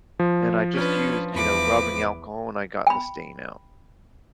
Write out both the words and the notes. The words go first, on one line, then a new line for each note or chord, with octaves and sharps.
and I just used, you know, rubbing alcohol, and I got the stain out.
F3
C#4 D4 B4
E2 B4 D6
G5 B5